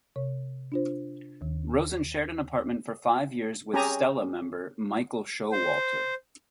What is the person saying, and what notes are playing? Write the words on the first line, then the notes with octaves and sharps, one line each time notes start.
Rosen shared an apartment for five years with Stella member Michael Showalter.
C3 C#5
D4 F4 C5
D#2 D#3
C#4 G4 G#4 G#5 A#5
C5